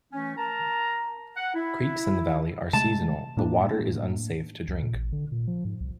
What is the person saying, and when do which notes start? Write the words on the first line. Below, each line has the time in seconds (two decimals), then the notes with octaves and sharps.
Creeks in the valley are seasonal, the water is unsafe to drink.
0.12 E3 A3 C#4
0.37 A#4 A5 A#5
1.36 F#5
1.55 E4
2.73 C3 G#3 A3 A5
3.37 A2 A#3 D4
4.68 C#2
4.82 A#2
4.95 A1
5.12 D3
5.32 A#2
5.47 F3
5.65 G#2
5.80 C2